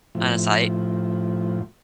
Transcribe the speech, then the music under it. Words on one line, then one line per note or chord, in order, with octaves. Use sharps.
on a site.
A2 F3